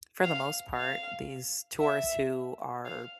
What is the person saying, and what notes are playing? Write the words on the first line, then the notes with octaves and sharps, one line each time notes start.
for the most part, these tourists who are-
F5
F5
E5
F5